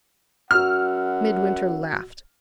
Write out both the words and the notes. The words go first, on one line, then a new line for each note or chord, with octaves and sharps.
Midwinter laughed.
F#2 F#4 F#5 E6 F6